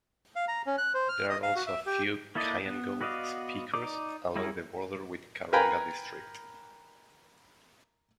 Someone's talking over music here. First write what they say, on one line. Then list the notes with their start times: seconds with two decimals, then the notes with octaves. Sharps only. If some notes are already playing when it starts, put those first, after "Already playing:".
There are also a few Kyangonde speakers along the border with Karonga District.
0.36 F5
0.48 A#5
0.66 C#4
0.78 F#6
0.94 C5
1.08 F6
1.29 D#5
1.43 F5
1.55 F#4
1.67 E5
1.86 G4
2.35 A#3 E4 A4 D5 D#5
2.66 B3
3.01 B3 F#4 D5 D#5 F5
3.74 D#4 D5 D6
4.36 G3 C#4 E4 G#4 A#4
5.53 A#4 B4 G5 G#5 A#5 B5